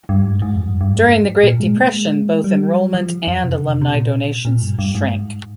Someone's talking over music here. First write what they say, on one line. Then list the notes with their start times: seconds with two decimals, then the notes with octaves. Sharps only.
During the Great Depression, both enrollment and alumni donations shrank.
0.09 G2
0.26 G#2
0.42 G#2
0.56 F2
0.68 G2
0.81 G2
0.92 G#2
1.43 A#2
1.60 G#3
1.77 A#3
1.94 G#3
2.44 G3
2.94 F3
3.27 F2
3.44 C3
3.57 C#3
3.69 C3
3.82 C3
3.94 A#2
4.45 A#2
4.62 G2
4.79 G2
4.95 G#2